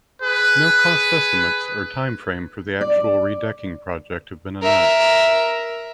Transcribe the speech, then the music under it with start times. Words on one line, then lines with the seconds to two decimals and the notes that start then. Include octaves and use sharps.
No cost estimates or time frame for the actual redecking project have been announced.
0.20 G#4 B4
2.81 D5
4.62 A#4 E5